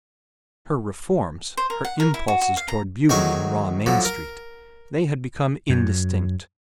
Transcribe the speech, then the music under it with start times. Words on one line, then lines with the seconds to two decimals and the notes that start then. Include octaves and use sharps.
Her "reforms," her impulses toward beauty in raw Main Street, they had become indistinct.
1.57 C5
1.70 A#4
1.85 F#5
2.00 A#4
2.14 E4
2.28 F#4
2.41 F#4
2.57 F5
2.68 A#5
3.09 D2 D#3 F#3 G#4 G#5 C#6
3.86 D3 F3 F#3
4.05 A#4
5.70 F#2